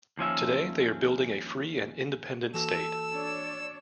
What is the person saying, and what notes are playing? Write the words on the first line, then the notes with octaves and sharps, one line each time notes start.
Today, they are building a free and independent state.
D#2 F3 C#4 E5
E3 A#3 F#4 A4 E6
D4 C#5 D5